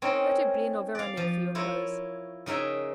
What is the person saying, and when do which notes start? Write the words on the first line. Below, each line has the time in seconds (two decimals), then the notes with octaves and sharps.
Go to Blin or Veronique for your clothes.
0.02 C4 C#4 D#4 A#4 C#5
0.95 D5 F5
1.17 F3
1.55 E4 F4 A#4 C#5
2.46 C#3 D#4 A#4 E5 G#5